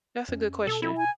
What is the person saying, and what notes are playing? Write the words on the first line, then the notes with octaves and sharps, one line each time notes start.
That's a good question.
F2 C#4
B2 A4
E4
G#5